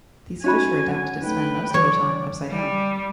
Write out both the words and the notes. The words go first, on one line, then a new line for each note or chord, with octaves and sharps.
These fish are adapted to spend most of their time upside-down.
C#4 D#4 F#4 G#5 B5
F#3 F#5
A3 D#4 B4 G5
E3 G3 C#5 D5
G3